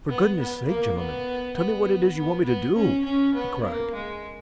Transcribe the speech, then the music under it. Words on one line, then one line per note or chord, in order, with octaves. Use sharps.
"For goodness' sake, gentlemen, tell me what it is you want me to do!" he cried.
B3
B3
A#3
B3
B3
B3
B3
C#4
C#4
B3
A#3
G#3